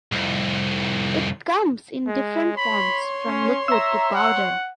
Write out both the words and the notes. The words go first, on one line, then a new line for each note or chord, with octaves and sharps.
It comes in different forms from liquid to powder.
C2 F2
G#3
C#5 B5 C6
C#4
E5 A#5 E6
F#5